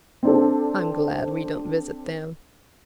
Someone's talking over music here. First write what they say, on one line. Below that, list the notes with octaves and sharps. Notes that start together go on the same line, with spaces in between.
I'm glad we don't visit them.
C4 D4 A4